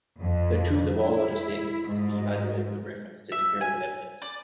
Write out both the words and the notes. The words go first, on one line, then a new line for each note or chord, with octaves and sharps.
The truth of all other statements must be evaluated with reference to empirical evidence.
F2
E4
G#2
E5
G#5
D5